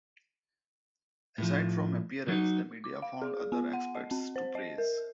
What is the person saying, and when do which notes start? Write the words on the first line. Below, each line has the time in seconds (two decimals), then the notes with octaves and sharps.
Aside from appearance, the media found other aspects to praise.
1.38 A2 F3
2.28 F#3 D#4
2.84 D6
3.02 F5
3.22 G#4
3.52 B3
3.73 F#5
3.95 D#5
4.11 C4
4.36 C5
4.55 D#5
4.78 A#4